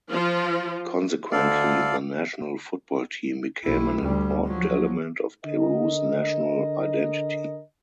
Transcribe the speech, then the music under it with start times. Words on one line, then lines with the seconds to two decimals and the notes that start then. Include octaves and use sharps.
Consequently, the national football team became an important element of Peru's national identity.
0.12 F3 F4
1.32 D2 D3 A4 D5 F5
3.64 B1 E4
4.01 D2 G3
4.44 F3 F#3
5.44 D3 A#4 D#5